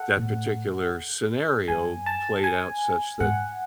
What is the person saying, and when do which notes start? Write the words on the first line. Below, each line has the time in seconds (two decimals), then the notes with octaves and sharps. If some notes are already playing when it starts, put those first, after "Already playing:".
that particular scenario played out such that
Already playing: A4 F#5
0.17 A2
1.68 F#2 G#5
2.06 A5
2.44 G#5
3.20 G#2 F#5